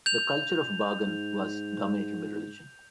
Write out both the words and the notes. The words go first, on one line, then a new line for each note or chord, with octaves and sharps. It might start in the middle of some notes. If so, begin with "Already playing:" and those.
The culture of Bagan was dominated by religion.
G6 F7
G#2